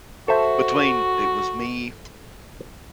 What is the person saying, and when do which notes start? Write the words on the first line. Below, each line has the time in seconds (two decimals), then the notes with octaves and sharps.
between it was me
0.28 F#4 A4 C5 E5